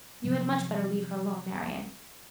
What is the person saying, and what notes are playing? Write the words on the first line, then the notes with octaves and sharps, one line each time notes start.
You had much better leave her alone, Marian.
C3 F3 F#3 C4